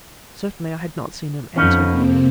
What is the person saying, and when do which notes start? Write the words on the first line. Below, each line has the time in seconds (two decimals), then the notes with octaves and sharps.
Certainly, I had not seen him enter.
1.56 F2 B3 C#4 D#4
1.87 C3 A#3 C4